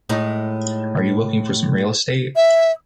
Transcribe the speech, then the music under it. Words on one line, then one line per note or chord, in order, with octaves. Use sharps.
Are you looking for some real estate.
A2 G#3 D#4
E5